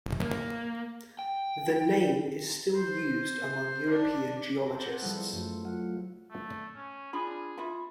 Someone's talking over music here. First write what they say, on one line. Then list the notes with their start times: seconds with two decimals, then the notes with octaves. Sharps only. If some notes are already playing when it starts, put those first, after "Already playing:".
The name is still used among European geologists.
0.22 A#3
1.19 G5
2.75 C5
3.90 D4
4.67 A4 C5 A#5 D6
4.85 F#5
5.02 F3 G3 G#3 B3 E4 A4
5.33 F#2 F#3 A3 F4
5.65 F#3 A3 F4 F#5
6.31 A3
6.75 C#4
7.13 D4 F4 G#4 B5
7.58 F4 E5 B5